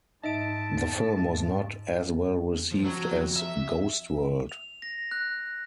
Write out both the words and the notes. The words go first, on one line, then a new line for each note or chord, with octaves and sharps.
The film was not as well received as "Ghost World".
G#2 D#4 D#5 E5 A5 D7
G#2
F2 F3
F#3
E5
F7
A#6
F#6